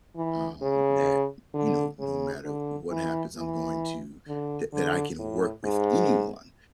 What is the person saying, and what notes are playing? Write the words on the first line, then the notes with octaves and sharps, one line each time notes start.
um, that, you know, no matter what happens, I'm going to that that I can work with anyone,
E3
C#3
D3
C#3
D3
E3
E3
D3
D3
A2
G#2